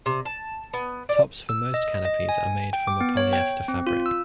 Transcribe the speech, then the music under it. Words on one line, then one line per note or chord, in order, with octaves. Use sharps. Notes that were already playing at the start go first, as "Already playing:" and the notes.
Tops for most canopies are made from a polyester fabric.
C3
A5
B3
D5
E6
D#5
D#5
G#5
G5
D6
B3
C#5
G5
C4
F4
E6